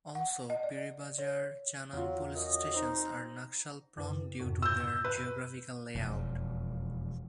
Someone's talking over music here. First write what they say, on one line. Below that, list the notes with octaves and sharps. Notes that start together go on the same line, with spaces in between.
Also, Piribazar, Chanan police stations are naxal-prone due to their geographical layout.
F#5
D#5
D5
C#5
E2 F#3 F4
F#2 D#5
C4 D#4
F#2 C#3
F2 G#2 C3
G2 E6 G6
B4
E1 F2